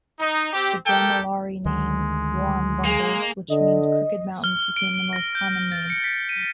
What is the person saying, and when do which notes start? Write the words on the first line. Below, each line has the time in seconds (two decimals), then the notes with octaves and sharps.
The Gamilaroi name Warrumbungles which means 'crooked mountains' became the most common name.
0.19 D#4
0.53 C4 G4
0.86 A3 G4 A4 A#4 G5
1.65 D2 D#3 G#3
2.84 A#3 G#4
3.50 D3 D#5
4.44 F6
4.77 D7
4.94 D7
5.13 A#6
5.35 G6
5.72 A6
5.90 C#7
6.04 B6
6.29 D#7